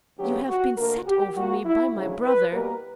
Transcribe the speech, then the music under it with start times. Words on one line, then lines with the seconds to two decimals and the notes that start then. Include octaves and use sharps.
You have been set over me by my brother.
0.18 D2 C#3 F#3 B3 G4
0.48 F#4
0.77 D2 D3 A#3 A#4
1.06 G4
1.35 A#2 A#3 F#4
1.65 E4
1.94 D2 C#3 F#3
2.23 B4
2.53 B2 G3 A#3 A#4